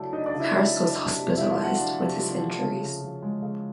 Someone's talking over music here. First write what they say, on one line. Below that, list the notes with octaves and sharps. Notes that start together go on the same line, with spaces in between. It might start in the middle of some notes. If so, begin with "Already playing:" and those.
Harris was hospitalized with his injuries.
Already playing: C#3 F#3 A3 D4 E4
D4 D#4 D#5
D4 D5
C#3
E4 E5
F#3 E4 E5
A3
D4
C3
F3 E4 E5
F4 F5
A3
F#4 F#5
D4
C3
F3
A3
C#3
C#3
F3
G#3
C#3